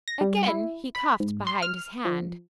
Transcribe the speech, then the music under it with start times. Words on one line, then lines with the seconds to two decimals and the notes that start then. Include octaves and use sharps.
Again he coughed behind his hand.
0.08 A#6
0.21 G3
0.48 E4
0.95 B5
1.20 G#2
1.47 C6
1.62 F6
2.05 F3